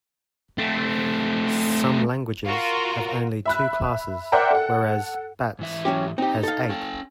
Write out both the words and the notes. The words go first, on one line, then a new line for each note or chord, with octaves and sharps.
Some languages have only two classes, whereas Bats has eight.
A3 C4
F4 F#4 A#4
E5 B5 F#6
A#4 C5 D5 E5 F#5 G5
A4 F#5
G#2 E3 E5
F#3 C#4 G4
C4 D#4 G4 D#5
A4 F5
C#4 G5 G#5